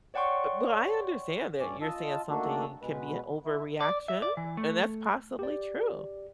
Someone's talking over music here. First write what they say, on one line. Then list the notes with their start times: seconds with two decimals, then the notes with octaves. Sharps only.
Bu but I understand that you're saying something can be an overreaction, and that's possibly true.
0.14 C#5 D5 F#5 G5 C6 C#6
1.60 G2 C#4 D5
1.82 F4 D#5 A5 E6
2.30 D#3 A3 A#3 D4 F#4 A4
2.82 B2 G#3 B4
3.45 E4
3.81 D5
4.08 E5
4.22 D5
4.37 E3
4.57 A3
5.39 G4 D5